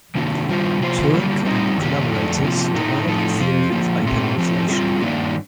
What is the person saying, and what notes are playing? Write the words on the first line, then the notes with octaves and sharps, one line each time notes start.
Turok and collaborators developed the theory of open inflation.
C3 D#3 A#3 D4
D#3 G3 D4 F4 C5
C3 F3 A#3 F4 C5
D3 G3 A#3
G3 C4 D#4 A#4
G2 D#3 A#3 D4 G4
F2 D3 A3 D4
C3 F3 A#3
A2 A3 D#4 A#4
A2 F3 A3 D#4 A4
F3 C4 F4
D3 F3 A#3
A#2 A3 C4 G4
F3 A3 C4 G4
G3 C4 F4 A#4
G2 D#3 A#3 D4